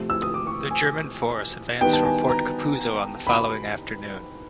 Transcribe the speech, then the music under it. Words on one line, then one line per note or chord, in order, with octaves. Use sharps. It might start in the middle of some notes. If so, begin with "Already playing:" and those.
The German force advanced from Fort Capuzzo on the following afternoon.
Already playing: C3 F3 A3
E6
D#6
D6
C#6
G#5
D#3 G3 B3 D#4 G5
A5
G#5
A#5
B5